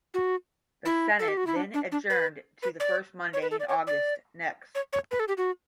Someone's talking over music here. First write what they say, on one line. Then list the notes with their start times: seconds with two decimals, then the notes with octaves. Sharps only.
The Senate then adjourned to the first Monday in August next.
0.14 F#4
0.85 E4
1.19 A4
1.28 G4
1.37 F#4
1.47 E4
1.56 D4
1.74 D4
1.92 D4
2.10 B4
2.63 B4
2.80 D5
3.33 C#5
3.42 B4
3.51 A4
3.60 D5
3.69 C#5
3.87 D5
4.75 C#5
4.93 C#5
5.11 B4
5.20 A4
5.28 G4
5.37 F#4